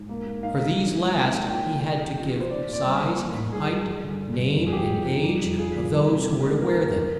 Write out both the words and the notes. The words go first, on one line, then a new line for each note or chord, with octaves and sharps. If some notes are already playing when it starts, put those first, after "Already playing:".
For these last he had to give size and height, name, and age, of those who were to wear them.
Already playing: G#2
A#3
A#3
D#4 F5
G#2
D4
G#3
A#3
D#4
A#2 G5
D#4
D3 G5
D3
F3
D#4
C5
A#2 D5
A#2
D5
G3 C5
C3
A#3
D#4
G2 G#4
G2
G2
D3
G2
G2
F2
G#4
F3 G4
F3
D#4
G3
F2
F3 G#4
D3
G3
C3
A#2
G#3
A#2 A#4
D#4
D#4